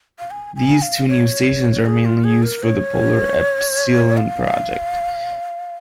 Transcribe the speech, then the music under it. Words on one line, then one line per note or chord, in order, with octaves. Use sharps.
These two new stations are mainly used for the Polar Epsilon project.
F5
G#5
G#5
F5
C#5
G#4
F4
G#4
A#4
C#5
F5